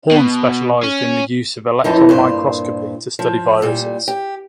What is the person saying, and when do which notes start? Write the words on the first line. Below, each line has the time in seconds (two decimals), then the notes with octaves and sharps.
Horne specialized in the use of electron microscopy to study viruses.
0.11 B2
0.84 C#4
1.84 F#2 E3 F3 D#4
2.09 G2 A#2 C5
3.19 F3
3.62 A#2 G3
4.08 G4